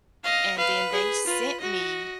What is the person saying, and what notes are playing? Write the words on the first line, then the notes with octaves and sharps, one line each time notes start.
and then they sent me,
D#5 F5
B4 F5
G#4
F4 B4
F#4 D#5